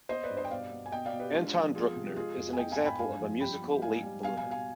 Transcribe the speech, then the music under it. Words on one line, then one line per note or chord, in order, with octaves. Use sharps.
Anton Bruckner is an example of a musical late bloomer.
B3 C5 D#5
B4 D5
G2
C5 D#5
G5
B2 D5 F5
B3
G#5
B2 D#5 G5
D5 F5
B2
G4 B4
G#3 D4 F4
F3
B3 F4 G#4
C3
G4
G#3 F4 G#4
F2
G#5
B3 D#5 G5
F5 G#5
G#2
G5 B5
G2 F5 G#5
F3
G3 G5 B5
B3
G#2 F5 G#5
G3
B2 F5 G#5
F5 G#5
B2
F5 G#5